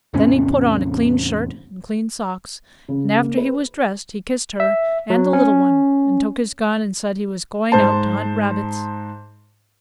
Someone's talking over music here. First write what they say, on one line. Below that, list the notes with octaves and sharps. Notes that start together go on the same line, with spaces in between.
Then he put on a clean shirt and clean socks, and after he was dressed he kissed her and the little one and took his gun and said he was going out to hunt rabbits.
E2 A2 C3 C#4
C#3
A#3
B4
E5
F#3
C#4
G#2 C5 A5